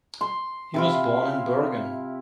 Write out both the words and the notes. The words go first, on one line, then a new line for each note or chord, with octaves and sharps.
He was born in Bergen.
C6
C3 E4 F4